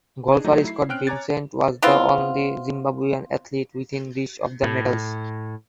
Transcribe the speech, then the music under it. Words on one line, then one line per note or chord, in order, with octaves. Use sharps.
Golfer Scott Vincent was the only Zimbabwean athlete within reach of the medals.
D4 D#4 G#4
F#3 A3 D#4 G4
E4 C7
C4 C#4 G5 F6 F#6 D7
C#5 G#5 A#5 D6 G#6 A6
B3 C4 E4 F4
A2